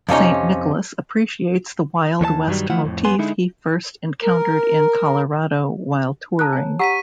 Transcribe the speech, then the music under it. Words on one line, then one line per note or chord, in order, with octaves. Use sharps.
Saint Nicholas appreciates the wild west motif he first encountered in Colorado while touring.
F2 C3 C#4 D#4
D#2 E3 C#5 A5
G2 D#3 F#3 G3
D#3 F3 A3 E4 F4 F#5
F2 A2
F#2 B3 G#5 C6
D3 G#3 D#4 E4
A#4
F4 A4 A5 A#5 F#6
C#5 G#5
G4 F#5 A#5 C#6 E6 B6 D#7